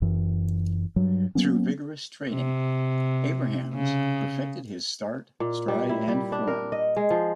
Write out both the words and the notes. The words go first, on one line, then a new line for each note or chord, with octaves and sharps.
Through vigorous training, Abrahams perfected his start, stride and form.
F#1 F#2 E3
G2 F#3
F#3 A#3 B3 C#4
C3
C#3
A#2
G3
E4
G3
D4
A#4
D#5
G#3
F3